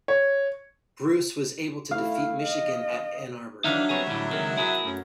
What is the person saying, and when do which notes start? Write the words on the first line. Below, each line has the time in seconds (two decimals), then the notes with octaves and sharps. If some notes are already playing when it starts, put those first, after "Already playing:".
Bruce was able to defeat Michigan at Ann Arbor.
0.08 C#5
1.91 A3 E4 F5
2.43 D#5
3.64 D#3 E3 F#3 D4 D#4 E5 F5
3.89 G3 B3 C4 G#4 C#5
4.07 D2 A2 G3 E4
4.31 C#2 D#3 C4 G#4 A#4
4.57 C3 E4 F#4 G#4 A#4
4.85 F#2 A3